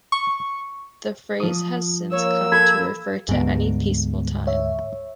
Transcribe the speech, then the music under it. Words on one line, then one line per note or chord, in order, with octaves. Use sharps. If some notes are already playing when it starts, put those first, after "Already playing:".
The phrase has since come to refer to any peaceful time.
C#6
F3 D#6
A#3 C#5 E6
A4 B5 G#6
D2 G#2 G3 B3
C#5 E5